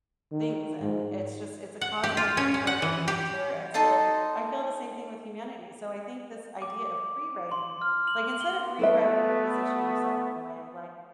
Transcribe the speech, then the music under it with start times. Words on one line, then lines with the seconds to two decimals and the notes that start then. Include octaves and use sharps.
things, and it's just it's a cosmic part of nature, and so, I feel the same thing with humanity. So, I think this idea of prewriting, like, instead of rewriting to position yourself in a way like
0.32 D#3
0.81 G#2
1.81 F#5
2.03 G4
2.17 F4
2.37 C#4
2.54 C#4
2.67 F#5
2.82 E3
3.08 G4
3.74 D#4 A4 D#5 C6
6.62 D6
7.52 C6
7.82 F6
8.07 F#7
8.41 G7
8.79 A3 B3 A4 B4 E5